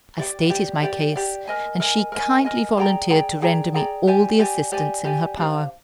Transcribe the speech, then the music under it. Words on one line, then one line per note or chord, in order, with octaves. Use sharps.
I stated my case, and she kindly volunteered to render me all the assistance in her power.
G4 D5 G5
G4 D5 G5
G4 D5 G5
G4 D5 G5
A#4 D#5 G#5
A#4 D#5 G#5
A#4 D#5 G#5
A#4 D#5 G#5
G#4 D5 G5 A#5
G#4 D5 G5 A#5
G#4 D5 G5 A#5
G#4 D5 G5 A#5
G4 D5 G#5
G4 D5 G#5
G4 D5 G#5
G4 D5 G#5
D4 G4 C5 F5